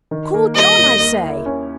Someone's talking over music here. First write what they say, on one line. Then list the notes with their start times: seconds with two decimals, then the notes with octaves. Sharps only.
Call John, I say!'
0.11 D#3
0.34 A#3
0.55 G3 D#5
0.78 D#2
1.01 A#3
1.24 E4
1.46 C#4